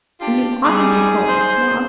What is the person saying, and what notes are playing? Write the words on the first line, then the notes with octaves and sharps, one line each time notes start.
And you oughtn't to call them snobs.
D4 F4 G4
G3 D#4 G#4
C5